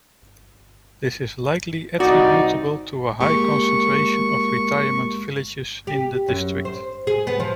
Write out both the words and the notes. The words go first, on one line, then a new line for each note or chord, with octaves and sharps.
This is likely attributable to a high concentration of retirement villages in the district.
C2 D#4 F#4 D5
G#3 A#3 G4 C#6
G4
F#2
C5
G#4
B3
F3